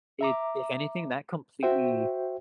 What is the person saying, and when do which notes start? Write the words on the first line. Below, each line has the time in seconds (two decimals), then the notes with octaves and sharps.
it if anything, that completely
0.21 E5 A#5 D6
1.63 F#4 C5 E5 G5